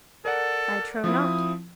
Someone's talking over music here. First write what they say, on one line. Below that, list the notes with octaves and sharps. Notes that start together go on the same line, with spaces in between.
I trow not.
A4 A#4 D5 F#5
F3 C4 E4 D#6